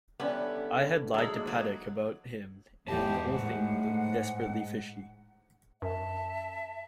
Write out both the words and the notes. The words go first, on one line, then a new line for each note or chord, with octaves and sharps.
I had lied to Paddock about him, and the whole thing looked desperately fishy.
D3 E3 G3 B3 C#4
F#3 G#3 A#3 D#4 A4
F#3
E2 G#2 G4 A5
A2 F#5
F#2 E5 A5